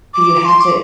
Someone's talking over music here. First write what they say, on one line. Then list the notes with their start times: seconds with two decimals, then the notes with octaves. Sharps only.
You have to
0.14 D6
0.45 C6
0.60 D6